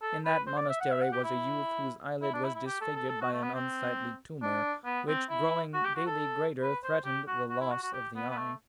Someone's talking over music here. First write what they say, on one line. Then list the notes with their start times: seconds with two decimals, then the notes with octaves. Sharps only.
In that monastery was a youth whose eyelid was disfigured by an unsightly tumour, which growing daily greater, threatened the loss of the eye.
0.02 A4
0.25 B4
0.47 C5
0.57 D5
0.69 E5
0.80 F#5
0.91 E5
1.01 F#5
1.13 G4
1.24 E4
2.22 E4
2.33 D4
2.44 E4
2.55 E4
2.66 G4
2.81 A4
2.96 A4
3.10 A4
3.21 F#4
3.33 A3
3.42 B3
3.54 C4
4.42 D4
4.85 B3
5.08 C4
5.30 E4
5.74 F#4
5.85 G4
5.95 F#4
6.06 A4
6.62 B4
6.84 C5
7.05 G4
7.27 F#4
7.49 F#4
7.60 E4
7.71 F#4
7.82 F#4
7.93 G4
8.15 B3
8.30 B3
8.37 A3